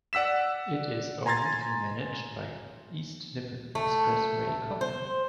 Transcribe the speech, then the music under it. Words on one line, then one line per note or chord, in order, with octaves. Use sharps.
It is owned and managed by East Nippon Expressway Company.
D5 F#5 E6 B6 E7
G#5 A#5 C6 G#6 A6
A3
C5